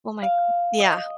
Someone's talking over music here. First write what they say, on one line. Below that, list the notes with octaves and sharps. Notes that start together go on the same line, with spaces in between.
Oh, my g yeah.
F5
D#5